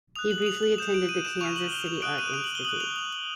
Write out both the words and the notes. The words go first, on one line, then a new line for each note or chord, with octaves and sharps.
He briefly attended the Kansas City Art Institute.
D#6 F#6 F7
F#7
F#7
F7
F#7
D#6 G6 E7
D7
D#7
E7
C#6 F6 F7
F#7
G7
F7
D#6 F#6 D7
D#7
F7
F#7
G7
D#6 F#6 F#7
F7
F7